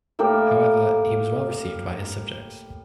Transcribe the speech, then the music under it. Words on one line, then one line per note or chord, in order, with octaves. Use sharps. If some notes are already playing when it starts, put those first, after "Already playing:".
However he was well received by his subjects.
A2 A#3 G4 A#4